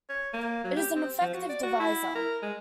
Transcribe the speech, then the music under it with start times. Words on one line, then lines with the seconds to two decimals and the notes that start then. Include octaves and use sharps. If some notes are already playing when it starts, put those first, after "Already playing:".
It is an effective divisor.
0.09 C#5
0.34 A#3
0.64 F#3
0.76 G4
0.96 C4
1.21 F3
1.34 F#4
1.49 D5
1.63 F#4
1.80 E4
2.15 A#4
2.42 G#3